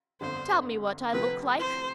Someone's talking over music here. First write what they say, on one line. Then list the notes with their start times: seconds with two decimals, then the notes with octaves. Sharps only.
"Tell me what I look like."
0.21 G1 F2 D3 C5
1.13 D2 C3 F3 C4 E4 B4
1.59 C5